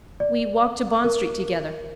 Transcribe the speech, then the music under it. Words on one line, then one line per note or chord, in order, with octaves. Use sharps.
We walked to Bond Street together.
D5
A#4